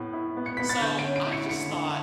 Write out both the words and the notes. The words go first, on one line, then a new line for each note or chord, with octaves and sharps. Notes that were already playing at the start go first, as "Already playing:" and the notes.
so I just thought
Already playing: A2 B3
E4
B3
C#7
B3 B6
A6
D3 G6
C#4 D7
D7
E4
C#7
D3 C#7
D3